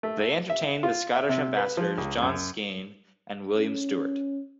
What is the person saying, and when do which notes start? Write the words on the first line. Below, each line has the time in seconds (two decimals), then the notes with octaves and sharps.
They entertained the Scottish ambassadors John Skene and William Stewart.
0.03 A3
0.50 E5
0.83 F4
1.15 E5
1.29 C3
1.57 B4
1.77 F3
1.98 C#2
2.22 F#2
3.56 C#4